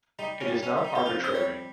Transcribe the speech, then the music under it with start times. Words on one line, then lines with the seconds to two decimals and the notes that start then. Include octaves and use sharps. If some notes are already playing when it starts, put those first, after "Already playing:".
It is not arbitrary.
0.19 G3 D#4
0.41 C#4
0.48 G3
0.63 C#4
0.77 G3
0.85 D#4
0.95 G4
1.06 F2 F4
1.24 C5
1.34 G3 C#5